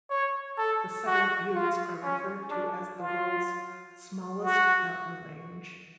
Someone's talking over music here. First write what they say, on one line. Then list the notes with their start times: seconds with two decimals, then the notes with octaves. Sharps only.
The Sutter Buttes are referred to as the world's smallest mountain range.
0.10 C#5
0.58 A4
1.06 F#4
1.55 F4
2.03 C#4
2.51 D4
2.99 F4
4.44 F#4